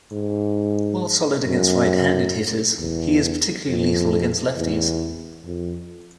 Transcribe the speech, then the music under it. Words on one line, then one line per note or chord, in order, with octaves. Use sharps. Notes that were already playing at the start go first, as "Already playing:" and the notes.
While solid against right-handed hitters, he is particularly lethal against lefties.
G#2
F#2
E2
F2
E2
F2